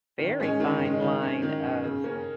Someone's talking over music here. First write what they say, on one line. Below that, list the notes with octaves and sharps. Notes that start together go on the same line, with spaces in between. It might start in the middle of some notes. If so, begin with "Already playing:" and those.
very fine line of
D#3
G#3 C#4
D#3
G#3 C#4
D#3
C#4
D#3
C#4
C#3
A#3 C#4